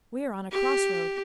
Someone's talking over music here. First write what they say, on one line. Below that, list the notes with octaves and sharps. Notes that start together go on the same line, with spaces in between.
We are on a cross-road.
G4